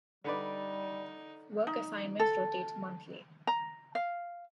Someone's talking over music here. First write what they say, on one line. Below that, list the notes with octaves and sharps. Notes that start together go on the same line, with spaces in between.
Work assignments rotate monthly.
D3 G3 D#4 B4 D5
D#4
A4
A#5
F5